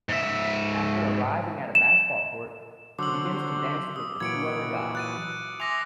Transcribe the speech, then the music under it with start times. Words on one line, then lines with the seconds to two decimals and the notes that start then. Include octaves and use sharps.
After arriving at a basketball court, he begins to dance with two other guys.
0.09 G#2 E5
1.75 E7
2.99 D3 F#3 C5 D6 E6 F#7
3.96 D#6
4.20 A#2 E3 F#3 G#6 C#7 D7
4.95 F#6 A6 D#7
5.60 E5 G#5 C6 D6 A#6 F7